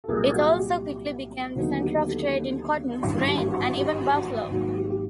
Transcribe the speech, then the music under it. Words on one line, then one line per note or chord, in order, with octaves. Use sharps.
It also quickly became the center of trade in cotton, grain, and even buffalo.
A4
C2 A#2 F#3 G#4 A#4
F#4 G#4
G4
D#2 D3 F#3 B3 D#4 F#4
G4
G4 A4
G#1 G2 E3
G4
G4
F#4
G4
G4
F#4
G#1 G#2 D#3 F#3 A#3 F#4
G4
G#4
G4